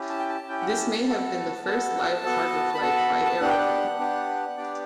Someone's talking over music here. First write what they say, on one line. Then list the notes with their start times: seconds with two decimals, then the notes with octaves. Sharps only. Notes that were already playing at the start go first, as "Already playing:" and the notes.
This may have been the first live cargo flight by aeroplane.
Already playing: C#4 E4 G4
0.09 A5
0.19 G5
0.29 A5
0.49 C#4 E4 G4 G5
0.61 F#5
0.69 G5
0.77 A5
1.07 B3 F#4 A4 A5
1.65 B3 F#4 A4 A5
2.23 B3 F#4 A4
2.75 B5
2.81 B3 F#4 A4 A5
2.96 B5
3.25 A5
3.40 B3 D4 G4 F#5
3.49 G5
3.58 F#5
3.99 B3 D4 G4
4.57 B3 D4 G4 D5